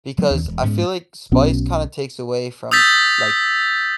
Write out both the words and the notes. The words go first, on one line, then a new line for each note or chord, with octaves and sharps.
because I feel like spice kinda takes away from, like,
F#3 G#3 B3 C4
D#2 E3 C4 D4
E1 E2
G#2 G#3 B3 C#4
B1 B2 B3 C#4
D#6 E6 G6 A6 B6